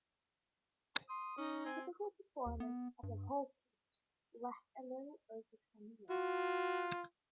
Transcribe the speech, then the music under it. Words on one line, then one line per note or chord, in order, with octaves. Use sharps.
A typical performance of the whole piece will last a little over twenty minutes.
C6 D#6
C#4 D#4
C4 G#5
D#2
B3
G2
F4 F#4